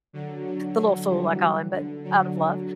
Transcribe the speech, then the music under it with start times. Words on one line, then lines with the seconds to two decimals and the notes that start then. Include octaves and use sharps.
the little fool I call him, but out of love.
0.13 D3 F#3
0.45 D3 F#3
0.77 D3 F#3
1.08 E3 G3
1.73 D3
2.04 D3 F#3